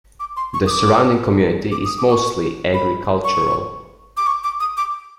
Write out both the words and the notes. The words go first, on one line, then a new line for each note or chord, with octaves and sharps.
The surrounding community is mostly agricultural.
D6
C6
C#6
D#6
D6
D6
D#6
D6
C#6
B5
C#6
D6
C#6
D6
D#6
D6